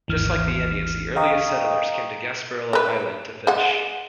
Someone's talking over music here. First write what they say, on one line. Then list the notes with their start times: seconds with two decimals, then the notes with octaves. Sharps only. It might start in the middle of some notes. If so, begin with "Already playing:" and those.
Just like the Indians, the earliest settlers came to Gasparilla Island to fish.
0.08 G#1 D#2 E3 F6
1.16 D#5 F5 G5 A#5 C#6 D#6
2.73 A#4 B4
3.47 G#3 F#5